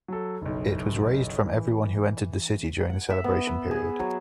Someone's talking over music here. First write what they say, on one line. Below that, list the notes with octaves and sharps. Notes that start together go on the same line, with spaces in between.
It was raised from everyone who entered the city during the celebration period.
F#3 A4
F#1 B1
E3
F#5
E5
B3
B4
G#4
F#3